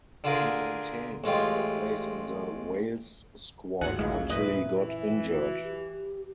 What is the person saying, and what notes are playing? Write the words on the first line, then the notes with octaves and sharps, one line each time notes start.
He maintained a place in the Wales squad until he got injured.
D3 F4 G#4 A#4
A1 G#3 F4 G4
D2 G#2 F3 F#3 F#5
A1 D2 G#3 E4 F5
F#2 A#2 B4 D#5 E5
E3
F#4
G4